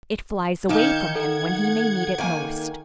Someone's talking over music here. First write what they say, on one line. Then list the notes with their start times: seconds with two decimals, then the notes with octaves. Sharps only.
It flies away from him when he may need it most.
0.69 D#3 D#4 F5 G6 G#6 C#7 E7
1.16 A4 F#5 G#6
2.18 D#3 A#3 G#5